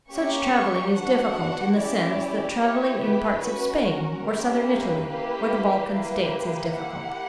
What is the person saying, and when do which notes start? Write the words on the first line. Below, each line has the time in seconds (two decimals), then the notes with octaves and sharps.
Such travelling is difficult in the sense that travelling in parts of Spain or southern Italy or the Balkan states is difficult.
0.10 A#3 C#4 G4 C#6
0.93 B3 D4 F#4 F#5
1.76 C#4 E4 G4 D5
2.60 B3 E4 G4 C#5
3.01 B4
3.43 C#4 F#4
3.84 A#4
4.26 A#3 C#4 E4 G4
4.67 B4
5.09 A#3 E4 G4
5.92 A#3 E4 G4 B4
6.75 A#3 E4 G4 F#5